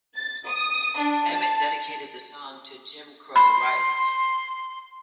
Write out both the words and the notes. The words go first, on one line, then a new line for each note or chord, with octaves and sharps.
Emmett dedicated the song to "'Jim Crow' Rice".
A6
D#6
D4
A5
B5 C6